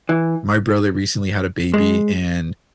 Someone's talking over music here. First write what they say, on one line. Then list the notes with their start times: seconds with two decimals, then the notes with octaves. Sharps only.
my brother recently had a baby, and
0.09 E3
1.74 G#3